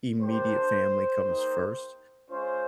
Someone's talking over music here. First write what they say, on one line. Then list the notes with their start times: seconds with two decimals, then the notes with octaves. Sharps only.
immediate family comes first.
0.20 A#3 D4 G4 C5
1.24 A#3 D#4 G4
2.29 G#3 C#4 F4 C5